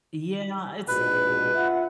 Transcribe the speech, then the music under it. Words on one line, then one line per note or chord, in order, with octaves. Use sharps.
Yeah, it's
A#1 G#2 B2 B4
F4 E5 F#5